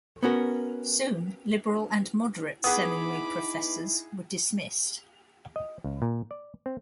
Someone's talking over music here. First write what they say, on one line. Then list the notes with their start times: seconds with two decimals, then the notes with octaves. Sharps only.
Soon liberal and moderate seminary professors were dismissed.
0.23 B3 C#4 F#4 A#4
2.64 B3 D#4 E4 G#4 B5 D6 D#6
5.56 D#5
5.84 C#2
6.02 A#2
6.31 D5
6.66 C4